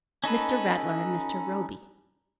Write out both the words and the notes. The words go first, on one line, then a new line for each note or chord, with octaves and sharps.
"Mr. Rattler and Mr. Roby."
C#4 D#4 A4 B4